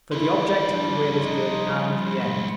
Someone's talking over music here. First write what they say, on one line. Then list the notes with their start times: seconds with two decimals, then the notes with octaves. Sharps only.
For the object of the will is good and the end.
0.11 F3 G3 E4
0.71 D4
1.20 D#4